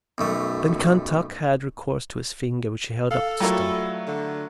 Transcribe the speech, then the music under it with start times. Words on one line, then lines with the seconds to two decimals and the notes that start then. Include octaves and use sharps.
Then Kentuck had recourse to his finger, which he held up to Stumpy.
0.18 B1 F#2 A3
3.11 A4 F5
3.40 F#3 G3 A3 A#3 E4 F4
4.07 D3